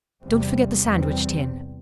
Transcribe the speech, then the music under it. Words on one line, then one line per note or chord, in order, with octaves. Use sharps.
Don't forget the sandwich-tin!
E2 C3 G3 C4
E2 C3 G3 C4